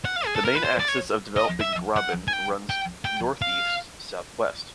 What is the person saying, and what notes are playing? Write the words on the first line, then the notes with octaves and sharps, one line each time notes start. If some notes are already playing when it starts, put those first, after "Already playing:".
The main axis of the developing graben runs northeast-southwest.
F#5
F5
G#4
A4
A#4
B4
C5
D5
C#5
D#5
E5
F#5
G#5
G5
G5
G5
F5